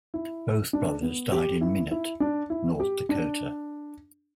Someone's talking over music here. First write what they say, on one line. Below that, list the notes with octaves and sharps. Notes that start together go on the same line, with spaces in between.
Both brothers died in Minot, North Dakota.
E4
D4
B3
G4
E4
E4
D4
E4
G4
D4